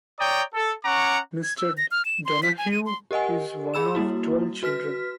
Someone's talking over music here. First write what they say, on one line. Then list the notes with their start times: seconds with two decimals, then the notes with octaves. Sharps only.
Mr. Donahue is one of twelve children.
0.19 C#5 D5 G5 A#5 D#6
0.54 A4
0.85 C#4 F#5 A#5 C#6 D6
1.43 G#6
1.58 E6
1.77 A#6
1.91 F6
2.05 E7
2.25 C6
2.43 B6
2.58 G#5
2.71 D#7
2.86 C6
3.11 G4 A#4 D#5 F#5 G#5
3.74 G#4 B5 E6 E7
3.95 G3 A#3 E4 F#4
4.63 F#4 B4 F6 B6